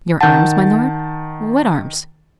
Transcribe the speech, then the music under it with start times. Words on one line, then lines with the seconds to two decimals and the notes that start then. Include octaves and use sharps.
"Your arms, my lord--what arms?"
0.21 D#3 F#5 A5 G6